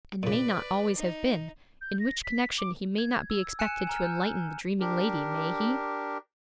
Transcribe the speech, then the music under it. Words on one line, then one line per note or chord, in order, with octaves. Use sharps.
'And may not always have been; in which connection he may not be expected to enlighten the dreaming lady, may he?'
A#2 C#3 B4 D5
D#4
G6
A#6
B6
D6
G#6
E6
G#5 F#6 C#7 D#7 E7
G#5 A#5 F6
F6 G6
D4 G4 A#4